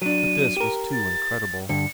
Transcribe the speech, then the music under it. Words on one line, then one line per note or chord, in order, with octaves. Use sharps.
But this was too incredible.
F#3 D4 D#7
G4 A#4
A6
G2 D3 C#7